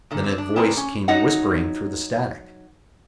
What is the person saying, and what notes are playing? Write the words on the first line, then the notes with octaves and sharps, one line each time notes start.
Then a voice came whispering through the static.
A#2 D3
C4
D4
F3 C4 G#4 A#4 B4 D5
C#4
F#3 D#4 F#5